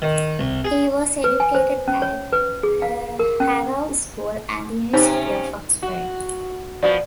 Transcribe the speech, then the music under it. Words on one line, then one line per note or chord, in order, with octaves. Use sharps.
He was educated at Harrow School and the University of Oxford.
D#3
C2
G#4
B4
G#5
C5
C#4
C#5
B4
G#4
F5
A#4
C#4
C3 C#4 D#4 C5
F#4
F3 B3 F#4 D5